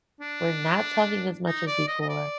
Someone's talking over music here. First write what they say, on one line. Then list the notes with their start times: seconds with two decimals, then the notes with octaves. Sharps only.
we're not talking as much as before,
0.20 D4
1.46 D#4
1.67 D5
1.87 D#5
2.01 D#5
2.09 D5